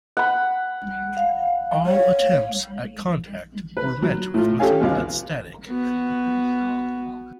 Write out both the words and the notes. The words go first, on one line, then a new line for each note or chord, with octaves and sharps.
All attempts at contact were met with nothing but static.
F#5 B5
F5
C#5
B4
F#3
A2 F4
C#4 G4 A4 C#5 F5 G#5
G#1 C#2 F5
B3 F#4